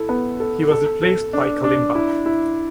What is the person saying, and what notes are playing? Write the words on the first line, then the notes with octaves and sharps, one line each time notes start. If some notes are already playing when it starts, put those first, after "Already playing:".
He was replaced by Kalimba.
Already playing: E4 A4
B3
A4
A4
A4
D4
D4
E4
E4